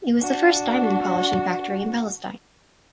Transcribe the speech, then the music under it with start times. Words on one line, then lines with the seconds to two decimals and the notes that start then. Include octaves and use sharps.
It was the first diamond polishing factory in Palestine.
0.20 D4 F#4